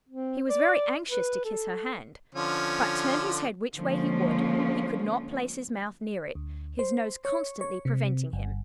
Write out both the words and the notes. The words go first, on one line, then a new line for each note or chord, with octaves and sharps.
He was very anxious to kiss her hand; but turn his head which way he would, he could not place his mouth near it, his nose constantly preventing him.
C4
D5
B4
A4
D3 F3 C#4
D3 F3 G#3 A#3 C#4
D2
C5
C#5
C#5
C3
G1